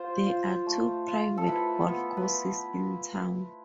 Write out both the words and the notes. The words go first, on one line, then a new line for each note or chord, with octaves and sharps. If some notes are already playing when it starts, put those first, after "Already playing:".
There are two private golf courses in town.
Already playing: F4 C5
F4
A3
F4
A4
E4 B4
B3
B4